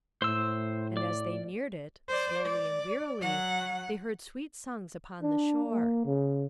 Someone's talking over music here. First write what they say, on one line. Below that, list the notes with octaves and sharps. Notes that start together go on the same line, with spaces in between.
And as they neared it, slowly and wearily, they heard sweet songs upon the shore.
A2 C5 E6
D5
C5 D5
D5
F#3 F#5
D4
A#3
C#3